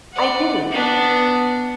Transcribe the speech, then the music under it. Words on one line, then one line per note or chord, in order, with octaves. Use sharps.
I do.
D5 F#5
B3 D4